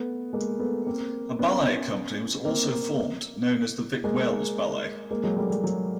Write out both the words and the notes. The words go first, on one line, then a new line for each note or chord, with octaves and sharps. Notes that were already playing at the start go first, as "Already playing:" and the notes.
A ballet company was also formed, known as the Vic-Wells Ballet.
Already playing: A3 B3
G#3 A#3
A3 B3
A#3 C4
B3 C#4
A#3 C4
G#3 A#3
G#3 A#3
F#3 G#3
G3 A3
G3 A3
F#3 G#3